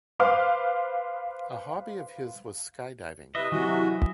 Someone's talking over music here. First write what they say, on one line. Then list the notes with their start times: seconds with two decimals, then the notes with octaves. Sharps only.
A hobby of his was skydiving.
0.19 B4 C5 F5 D6 F6
3.35 C3 E4 B4 D#5 E5
3.52 C3 E3 F#3 F#4